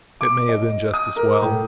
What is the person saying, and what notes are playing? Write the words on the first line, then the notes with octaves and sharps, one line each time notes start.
It may have been just as well.
D6
D#5
D#6
A#4
A2